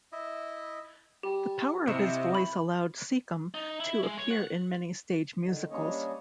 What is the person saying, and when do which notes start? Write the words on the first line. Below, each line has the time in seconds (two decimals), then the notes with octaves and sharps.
The power of his voice allowed Secombe to appear in many stage musicals.
0.12 E4 D#5 E5
1.23 G3 G4
1.88 C3 E4 F#4 D#5
2.35 B5
3.54 D#4
3.80 E4
4.03 G#3
4.18 C#5
4.31 F#5
5.42 D3 D#3
5.71 G3 A#3 C#4 D4 C#5 D#5